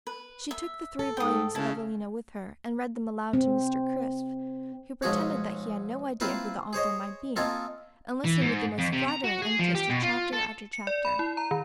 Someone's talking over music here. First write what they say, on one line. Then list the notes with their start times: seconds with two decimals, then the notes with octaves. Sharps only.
She took the three volumes of "Evelina" with her, and read them aloud to Mr. Crisp, who pretended that he had no idea who the author might be and listened with the most flattering interest to chapter after chapter.
0.07 B4
0.51 E5
0.99 A4
1.17 G#2 G5 D#6
1.55 C#3 E4 A5
3.33 C4
5.02 B1 G#2 F3 F#4 G#4 C#5
6.21 A#3 C4 E4 F4 B4 C5
6.73 G#4 C5 C#5 D#5
7.36 A#3 C4 F4 A4 D#5 G#5
8.24 E3
8.41 G#2
8.79 F2
8.93 C3
9.08 A#5
9.24 F#4
9.42 G#4
9.59 F3
9.75 G4
9.90 B2
10.03 F4
10.33 A4
10.73 C#7
10.87 D5
11.05 B5
11.19 E4
11.37 A#5
11.51 D#3